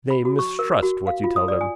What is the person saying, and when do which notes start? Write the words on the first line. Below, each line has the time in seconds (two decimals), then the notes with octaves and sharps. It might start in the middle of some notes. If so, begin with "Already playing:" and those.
They mistrust what you tell them.
0.10 B5
0.25 F#4
0.39 C#6
0.59 A#4
0.83 F#4
1.07 F5
1.24 F4
1.36 D#6
1.48 D5
1.61 G#5